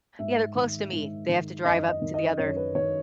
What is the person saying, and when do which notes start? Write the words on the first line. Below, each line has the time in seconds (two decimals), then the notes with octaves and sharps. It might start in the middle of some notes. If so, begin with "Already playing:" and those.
Yeah, they're close to me. They have to drive up to the other
0.19 G#2 E5
0.56 D#3
0.92 G#2
1.29 D#3
1.65 F#2 D#5
1.89 D#5
2.02 D#3
2.14 D#5
2.38 F#2 C#5
2.57 B4
2.75 D#3 C#5